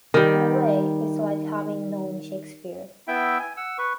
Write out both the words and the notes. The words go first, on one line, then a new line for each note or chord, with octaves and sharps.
In a way, it's like having known Shakespeare.
D#3 G3
B3 E4 E5 G5
G#5
F#5 E6
B4 C#6